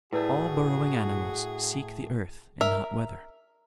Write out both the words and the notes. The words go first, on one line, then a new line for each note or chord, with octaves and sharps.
All burrowing animals seek the earth in hot weather.
A2 A3 E4 F#4 G#4 B4 D5
A#4 E5